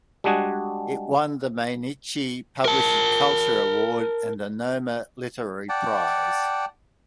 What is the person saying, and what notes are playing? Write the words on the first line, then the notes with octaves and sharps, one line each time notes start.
It won the Mainichi Publishing Culture Award and the Noma Literary Prize.
G3 G#3 D4 F#4 G#4
A#4 A5
D5 F#5 G5 A5